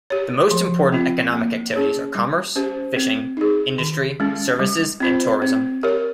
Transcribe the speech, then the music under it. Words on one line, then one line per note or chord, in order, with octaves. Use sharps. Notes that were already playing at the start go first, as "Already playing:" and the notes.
The most important economic activities are commerce, fishing, industry, services, and tourism.
G4 C#5
F3
C4 F4
A#3
C#4 G#4 C#5
G3
C#4 G4 C5
C4
D#4 G#4
D#3
G#3 C#4
G3
C4 F4 C5
C4
G4 A#4 C#5